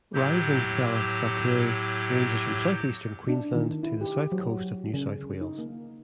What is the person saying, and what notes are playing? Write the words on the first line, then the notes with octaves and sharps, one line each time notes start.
"Rhizanthella slateri" ranges from southeastern Queensland to the south coast of New South Wales.
A2 F#3 G4 G6
D4
D#3
E4
G4
F#3
C#3
D#4
A#3